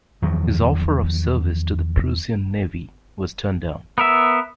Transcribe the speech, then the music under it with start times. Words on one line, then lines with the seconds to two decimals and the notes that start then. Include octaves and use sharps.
His offer of service to the Prussian Navy was turned down.
0.22 E2 D#3 F3 F#3
3.98 B3 A#4 E5